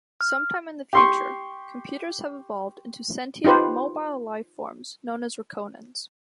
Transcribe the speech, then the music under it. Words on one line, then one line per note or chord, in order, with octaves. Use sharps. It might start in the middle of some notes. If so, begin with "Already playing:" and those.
Sometime in the future, computers have evolved into sentient, mobile life-forms known as 'Rakonans'.
F6
G4 C6 C#6
D#4 F4 G4 B4 C5